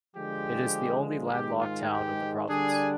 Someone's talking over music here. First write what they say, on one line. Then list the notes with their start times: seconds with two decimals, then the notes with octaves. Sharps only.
It is the only landlocked town of the province.
0.15 D3 F3 G#3 G4
1.31 G#2 D#3 G#3 G4
1.60 F4
1.90 G4
2.48 D3 G3 D4 G#4